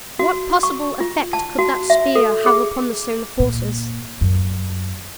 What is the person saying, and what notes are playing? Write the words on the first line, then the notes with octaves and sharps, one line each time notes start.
What possible effect could that spear have upon the solar forces?
F#4
C#6
F4
A5
F#4
E5
A4
G#4
A#2
F#2